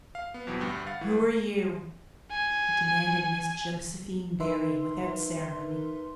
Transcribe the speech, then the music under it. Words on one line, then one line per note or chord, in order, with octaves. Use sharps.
"Who are you?" demanded Miss Josephine Barry, without ceremony.
F5
B3
F2 B2 E3 F#3
D2 G2 G3
F5 F#5 A6
A2 E3
G#5
D#4 A#4 B4 E5 C6